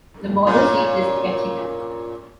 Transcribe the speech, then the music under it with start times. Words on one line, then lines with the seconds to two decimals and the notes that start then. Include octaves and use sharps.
The borough seat is Ketchikan.
0.47 A#2 C#4